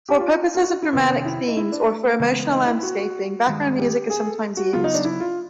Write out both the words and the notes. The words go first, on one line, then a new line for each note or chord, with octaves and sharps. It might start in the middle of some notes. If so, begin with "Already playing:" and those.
For purposes of dramatic themes or for emotional landscaping, background music is sometimes used.
G4
F4
F4
F#4
F4
E4
F2 C3 D#3 B3
C#4
E4
D#4
E4
D4
A3
C#3 E3 G#3 B3
D#4
E4
F#4
F#4
G2 D#3 G#3
G4
G#4
A4
F#4
C#3 F#3 B3 F4
D#4
D4
E4
F4